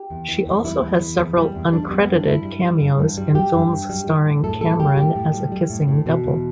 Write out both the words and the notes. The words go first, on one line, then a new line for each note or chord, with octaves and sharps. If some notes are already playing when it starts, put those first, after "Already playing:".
She also had several uncredited cameos in films starring Cameron as a kissing double.
Already playing: G4
E2
E3
E2
G3 E4
E2
E3
E2
G3
E2
G3 D4
B3
G3
B3
G2
D4
G2 E4
G3
G3
G2
G2
G3
G3 G4
G2
G2
G3
G3
A2
A2 A4
G3 A4
G3 G4
A2 G4
A2
G3
G3
A2
A2
B2
E2